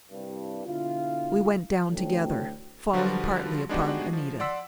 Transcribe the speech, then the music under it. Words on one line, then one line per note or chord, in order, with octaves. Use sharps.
We went down together, falling partly upon Anita.
C2 G2
B2 D3 E4 F4
A1 D2 A2 F#3 G5
D3 F3 G3 F4 F#4 B4
G#3 B3 D4 D#4 F#4 G4
F3
D5 F#5 C6 E6 B6